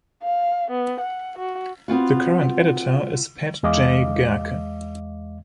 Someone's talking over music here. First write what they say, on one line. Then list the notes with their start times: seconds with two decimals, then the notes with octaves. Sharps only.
The current editor is Pat J. Gehrke.
0.23 F5
0.71 B3
1.01 F#5
1.38 F#4
1.88 B3 C4 F4 F#4
3.63 E2 G#3 D#5 F5 D6